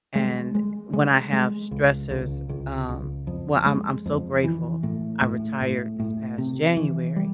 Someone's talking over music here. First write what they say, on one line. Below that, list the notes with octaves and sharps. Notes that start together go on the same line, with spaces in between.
and when I have stressors, um well, I'm I'm so grateful, I retired this past January,
G#3
G#3
G#3
G#3
C#2
C#2
C#2
C#2
F2
G#3
F2
E3
A2
A2
A2
A2
C3
E3
G3